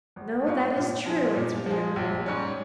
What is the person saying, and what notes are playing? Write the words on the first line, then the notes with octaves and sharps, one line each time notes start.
'No; that is true,' answered the young man.
G#1
G#2 G3 C#4 F4
A#2
F3 G#3
A#2
F3 G#3
A#1
G#2 G3 C#4